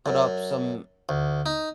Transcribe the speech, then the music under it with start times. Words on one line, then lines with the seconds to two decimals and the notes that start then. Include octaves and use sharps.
put up some
0.06 F#2
1.09 D2
1.46 D#4